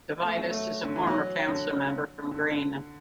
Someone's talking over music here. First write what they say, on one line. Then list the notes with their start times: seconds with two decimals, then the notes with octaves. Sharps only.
Devitis is a former Council member from Green.
0.24 A3
0.37 F#3
0.51 A3
0.85 D3
0.96 E3
1.07 F#3
1.48 D3
2.31 D3
2.52 D3